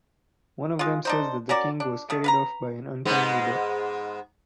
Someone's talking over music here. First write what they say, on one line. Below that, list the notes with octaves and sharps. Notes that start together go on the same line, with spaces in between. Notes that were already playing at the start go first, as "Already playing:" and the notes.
One of them says that the king was carried off by an untimely death.
G#3 F4
D4 D#4 C5
C#4 F#4 A#4 D5
D4
D#3 A3
B4 F5 A#5
G#2 G#3 B3